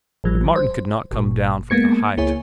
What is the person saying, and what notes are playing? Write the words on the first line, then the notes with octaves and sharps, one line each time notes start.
But Martin could not come down from the height.
A1 F3 G3
C5
G1 A#2
G#3 A#3 B3 G#6 C#7
C#2 A#3 E4 G#4 C#5 G#5